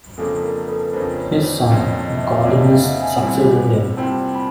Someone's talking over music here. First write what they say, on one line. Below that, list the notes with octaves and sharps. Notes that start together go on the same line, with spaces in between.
His son, Godinus, succeeded him.
F2 C#3 F3 A#3 D4 A4
A#4
A4 B4
F2 C#3 F3 A#3 D4 A#4 C5
B4 C#5
C5 D5
F2 C#3 F3 A#3 D4 C#5 D#5
D#5
E5
C#5 D#5
F2 C#3 F3 A#3 D4
D#5 F5
E5 F#5
F#5 G#5
C2 A#2 G3 C4 E4
C2 A#2 G3 C4 E4 G5 A5
A5 B5